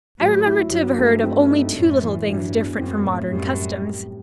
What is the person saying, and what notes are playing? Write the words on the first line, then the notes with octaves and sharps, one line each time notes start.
I remember to have heard of only two little things different from modern customs.
A2 F#3
E4
G2 F#3
A3
C4
D#4
F#2 A2
E3
G2 F#3
E2
F#2 C4
A2
F#2 G3